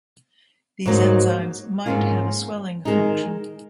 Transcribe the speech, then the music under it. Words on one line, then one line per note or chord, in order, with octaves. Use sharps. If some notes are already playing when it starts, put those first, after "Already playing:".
These enzymes might have a swelling function.
G#2 F#3 A#3 D#4 F#4
G#2 D#3 A#3 C#4 F4
D#3 G#3 D#4